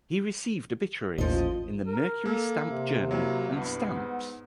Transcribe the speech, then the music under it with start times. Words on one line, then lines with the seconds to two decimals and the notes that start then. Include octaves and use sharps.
He received obituaries in the "Mercury Stamp Journal" and "Stamps".
1.18 A1 D#2 F3 D#5
1.87 A#4
2.25 A#3 A4
2.69 C3
3.11 F#3 A#3 E4
3.52 C2 G2 B3
3.96 G#2